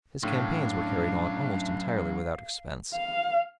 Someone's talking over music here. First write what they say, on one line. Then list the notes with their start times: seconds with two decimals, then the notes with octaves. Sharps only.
His campaigns were carried on almost entirely without expense.
0.23 A2 F#3 C#4 D4 F5
2.95 F5